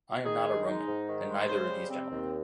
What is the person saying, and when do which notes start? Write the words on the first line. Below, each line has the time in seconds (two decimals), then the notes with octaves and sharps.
I am not a Roman, and neither are these gentlemen.
0.25 D#3 G#4
0.46 G#3
0.66 D#4
0.88 G#2
1.08 D#3
1.28 G#3
1.49 C#3 C5
1.69 G3
1.91 C4
2.11 D#2